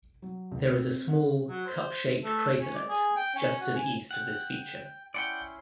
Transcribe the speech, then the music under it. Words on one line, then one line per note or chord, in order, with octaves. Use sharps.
There is a small, cup-shaped craterlet just to the east of this feature.
F#3
C#2
C4
F#5
F#3
C5
A3
C#4
D5
G#4
G5
C#4
F#4
G#5
F#5 G5
C#4 E4 D5 F#5 G5 C6